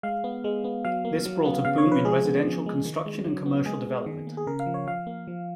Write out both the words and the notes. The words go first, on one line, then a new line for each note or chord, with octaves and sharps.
This brought a boom in residential construction and commercial development.
G#3 F5
B3
G#3
B3
F#3 F5
A#3
F#3
B3
C#3 F5
C#5
F3
B4
G#3 G#4
B3
F3
G#3
D#3
G#3
F#3
B3
G#3 G#4
B3
D#3
A#3
G#4
C#3 A#4
F5
F3
C#5
F3 F5
A#3
F3